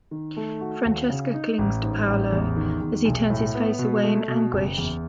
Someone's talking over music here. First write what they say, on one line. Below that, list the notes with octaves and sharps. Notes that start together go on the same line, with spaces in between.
Francesca clings to Paolo as he turns his face away in anguish.
D#3
A3
F#4
D#2
C#3
D#4
A1
G#2
A1
E2
D#3
E2
B1
A2
B3
B2
A3
B2
F#1
E2